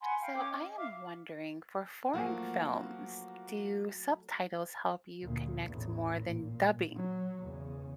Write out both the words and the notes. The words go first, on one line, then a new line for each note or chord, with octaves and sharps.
So, I am wondering, for foreign films, do subtitles help you connect more than dubbing,
F#5 G#5 B5 C6
F5 G5
C#4 G5 D6
D#5
E5 F5 D6
F3 F#3 A3 A#3 F#4 F#5
D2 A#2
A1 E2
A#2
F#3
E2 C#3